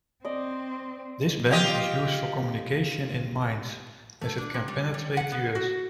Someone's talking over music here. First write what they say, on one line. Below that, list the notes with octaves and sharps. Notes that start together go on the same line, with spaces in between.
This band is used for communications in mines, as it can penetrate the earth.
C4 D5 D#5
F4 G4 D#5
A3
D4
C3
G3
G3
F#5
B3
F#4